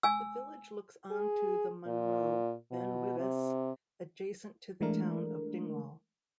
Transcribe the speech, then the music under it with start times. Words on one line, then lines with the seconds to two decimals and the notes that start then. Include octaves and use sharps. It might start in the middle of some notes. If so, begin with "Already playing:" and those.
The village looks onto the munro Ben Wyvis, adjacent to the town of Dingwall.
0.03 G#5 E6
1.11 G#4
1.86 A#2
2.71 B2
3.19 C3
4.81 E3 G#3 A3 D4 A#4